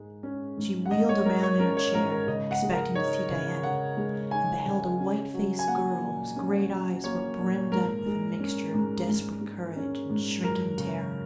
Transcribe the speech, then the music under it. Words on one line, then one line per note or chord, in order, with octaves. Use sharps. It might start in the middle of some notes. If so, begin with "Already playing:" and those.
She wheeled around in her chair, expecting to see Diana, and beheld a white-faced girl whose great eyes were brimmed up with a mixture of desperate courage and shrinking terror.
Already playing: G#2 G#3
C#4
G#2
F#5
G#2 D#5
C#5
G#3 A#4
C#5
C#4 A#4
C#5
G#2 A#4
A#4
C#3 D#5
F#5
G#3
A#4
D#4 C#5
C#3
C#3 F#5
G#3
D#4 G#5
C#3
C#4
F#3
G#5
A#3 F#5
A#2
C#4
F#3
A#3 C#5
A#2
G#2 A#4
G#3
C#4
G#2
G#2
G#3
C#4
G#2
F#2 A#4
C#3